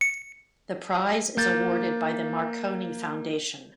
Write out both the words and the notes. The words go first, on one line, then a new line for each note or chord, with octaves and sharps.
The prize is awarded by the Marconi Foundation.
C#7
A#3 G6 A6